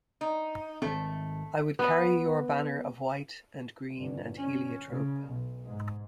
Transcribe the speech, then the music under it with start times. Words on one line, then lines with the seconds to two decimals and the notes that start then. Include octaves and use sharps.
I would carry your banner of white and green and heliotrope.
0.21 D#4
0.82 G#1 A3 C4
1.79 B3
3.99 G1
4.38 C#4
4.89 C#3
5.28 B1
5.66 G#2